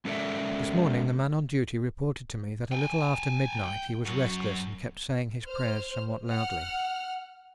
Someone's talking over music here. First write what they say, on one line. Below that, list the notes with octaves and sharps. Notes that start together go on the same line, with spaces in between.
This morning the man on duty reported to me that a little after midnight he was restless and kept saying his prayers somewhat loudly.
G#3 C#4 A4 A#4 D5 E5
G5 G#5
F#2 F#4
C5 F6
F#5 F6